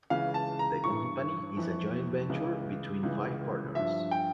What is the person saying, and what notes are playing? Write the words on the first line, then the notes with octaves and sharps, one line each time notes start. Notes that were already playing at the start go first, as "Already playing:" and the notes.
The company is a joint venture between five partners.
C#2 C#3 E3 F5
A5
A#5
G2 E3 C#6
F2 E3
C#2 C#3 E3
C#2 C#3 E3
G2 F3 E5
G5